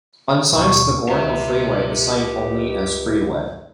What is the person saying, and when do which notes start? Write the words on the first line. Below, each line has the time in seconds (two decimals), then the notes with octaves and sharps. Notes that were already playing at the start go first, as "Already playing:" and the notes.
On signs the Gore Hill Freeway is signed only as "Freeway".
0.53 D#2 B2 C#6
1.09 C#2 G4 E5